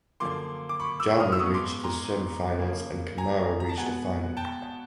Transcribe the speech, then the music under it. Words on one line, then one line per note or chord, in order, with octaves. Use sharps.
Jammeh reached the semifinals and Camara reached the final.
F#2 D3 F3 A#3 C6 D6
D6
B5 C#6
D6 E6
D#6 F6
E6
G#2 F3 G#3 B3 C#6 D#6
C6 D6
A#5 C6
C#3 F3 A#3
G#5 A#5
A#5
A5
B2 G#3 B3 F#5 G#5
G5 A5